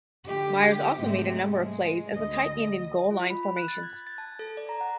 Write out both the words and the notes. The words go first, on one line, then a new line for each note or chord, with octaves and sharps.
Myers also made a number of plays as a tight end in goal-line formations.
D3 G4
G#2 C3 G#3 A3
G#3
D2 D#5
F4
B5
B5
F#6
A6
G#6
A6
A5
A4
D5
A#5
F#5